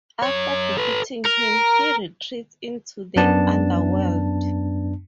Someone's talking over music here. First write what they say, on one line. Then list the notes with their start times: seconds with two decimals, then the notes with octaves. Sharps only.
After defeating him, he retreats into the Underworld.
0.23 F#2 C#5
0.77 A4 B4
1.26 A#4
3.16 F#2 B3 D4 A5